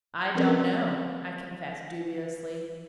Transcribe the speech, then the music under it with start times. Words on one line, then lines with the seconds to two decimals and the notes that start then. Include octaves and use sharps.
"I don't know," I confessed dubiously.
0.35 F3 C4 C#4 A#4 B4